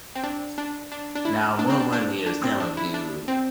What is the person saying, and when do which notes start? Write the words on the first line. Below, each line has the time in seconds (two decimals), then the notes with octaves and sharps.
Now move on here, some of you.
0.15 C4
0.24 D4
0.58 D4
0.92 D4
1.15 D4
1.25 E4
1.59 D4
1.70 C4
1.80 D4
1.93 D4
2.26 D4
2.44 C4
2.60 D4
2.77 E4
2.94 D4
3.28 C4